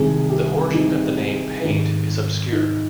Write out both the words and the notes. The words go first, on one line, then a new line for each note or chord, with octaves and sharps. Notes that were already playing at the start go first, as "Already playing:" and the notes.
The origin of the name "Paint" is obscure.
Already playing: C2 C3 D#3 G#3 G#4
G4
D#4
G#2 D#3 G#3
D#4